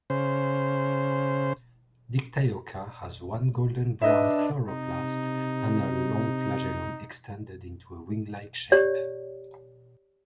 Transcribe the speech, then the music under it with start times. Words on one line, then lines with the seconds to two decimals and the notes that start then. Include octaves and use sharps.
"Dictyocha" has one golden-brown chloroplast and a long flagellum extended into a wing-like shape.
0.10 C#3 C5
4.02 D4 B4 D#5 E5
4.68 C3 D#4
8.72 G4 C#5 D5